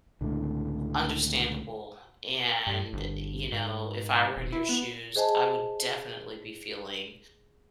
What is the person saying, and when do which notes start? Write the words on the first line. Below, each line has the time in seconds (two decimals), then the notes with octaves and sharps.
understandable, and, you know, if I were in your shoes, I would definitely be feeling
0.21 C#2 A2 D3
2.67 G2
2.93 G1
3.52 G#2
4.37 D#1
4.52 E4
4.69 B3
5.16 G#4 C5 D#5 G#5 A5